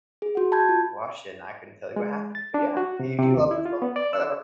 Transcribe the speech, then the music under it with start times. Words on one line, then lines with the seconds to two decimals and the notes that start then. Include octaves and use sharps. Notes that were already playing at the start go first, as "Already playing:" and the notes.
"Watched it, and I couldn't tell you what happened. But, yeah, you you loved it, so whatever."
0.22 G#4
0.35 F#4 F#5
0.52 A5 B5 G6 G#6
0.69 F4
1.96 G#3
2.35 A6
2.54 D4
2.77 F#4
3.00 C3
3.18 C3
3.37 D#2
3.51 E4
3.66 F4
3.82 B3
3.96 D5
4.13 E6